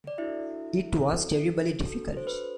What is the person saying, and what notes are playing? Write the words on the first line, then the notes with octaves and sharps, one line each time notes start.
It was terribly difficult.
D5
D4 E4 F#4 A4 E5
C4 F#4 A4
D4 F#4 A4
C5
B4